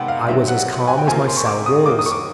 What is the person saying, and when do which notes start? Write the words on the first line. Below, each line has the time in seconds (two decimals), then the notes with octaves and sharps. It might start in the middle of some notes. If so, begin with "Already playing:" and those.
I was as calm as my cell walls.
Already playing: C3 D#3 G#3 B3 F#5 G5
0.08 F5
0.28 C3 D#3 F#3 E5
0.48 F#5
0.87 G#5
0.98 G5
1.07 C3 F3 A#3 G#5
1.28 C6
1.37 C#6
1.47 D6
1.66 D#6
1.86 D#3 F#3 A#3 D6
1.99 D#6
2.06 C#6
2.12 D6